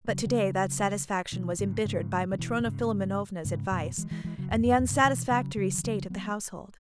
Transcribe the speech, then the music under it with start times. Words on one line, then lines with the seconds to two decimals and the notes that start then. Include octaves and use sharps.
But today that satisfaction was embittered by Matrona Philimonovna's advice and the unsatisfactory state of the household.
0.08 C#3 F#3
0.26 C#3 F#3
1.32 B2 E3
1.59 G#2 C#3
1.85 G#2 C#3
2.32 C#3
2.38 B2 E3
2.60 B2
2.65 G#2 C#3
3.45 G#2 C#3
3.71 F#2 B2
3.98 E3 G#3
4.11 E3 G#3
4.24 E3 G#3
4.38 C#3 F#3
4.51 E2 G#2
4.65 F#2
4.78 E2 G#2
4.90 G#2 C#3
5.04 B2 E3
5.30 C#3 F#3
5.57 C#3 F#3
5.78 E3
5.84 C#3 F#3
6.10 F#3 B3